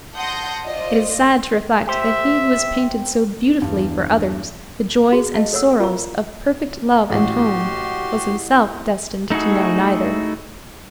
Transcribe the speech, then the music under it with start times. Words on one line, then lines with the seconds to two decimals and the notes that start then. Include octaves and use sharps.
It is sad to reflect that he who has painted so beautifully for others the joys and sorrows of perfect love and home, was himself destined to know neither.
0.15 F#5 A5 C6 D#6 G6 A#6
0.65 F4 C5 D5 D#5
1.87 G4 C5 E5
3.62 E2 G2
5.12 F#4 G#4
5.35 D#5 F5 A5
5.53 A4 C#5 F#5 E6
5.80 F4 A#4 F5 A#5 C#6
7.10 A1 F#4 G4 C6
9.30 A3 D#4 E4 F#4 G#4